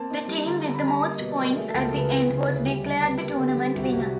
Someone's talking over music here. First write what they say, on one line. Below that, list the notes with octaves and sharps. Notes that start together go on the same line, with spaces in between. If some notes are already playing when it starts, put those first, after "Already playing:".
The team with the most points at the end was declared the tournament winner.
Already playing: A#3 C4 A5
D#4
G3
D3 A#5
A#5
D3
B5
G3
A#5
A#3
D#5
B2
D5
F#3
A#4
A3 G#4
A4
C#2
A#4
C#3 B4
E3 B4
C#3
D2
G3 G4
G3
B3
A#3 G4
D3
G4
G3
C2 G4
F#4
C2 G4